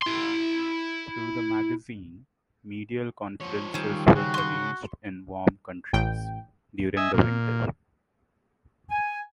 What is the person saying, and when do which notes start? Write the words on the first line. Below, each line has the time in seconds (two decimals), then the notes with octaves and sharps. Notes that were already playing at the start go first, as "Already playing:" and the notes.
Through the magazine, medial conferences were arranged in warm countries, during the winter.
0.02 E4 C6
3.41 F3 C#5
3.74 D#3 G3 C4 C#4
4.16 C#3 F#4
4.34 C6 C#6
5.93 A1 G5
6.97 D#5 E5 G#5
7.14 A#2
8.90 G#5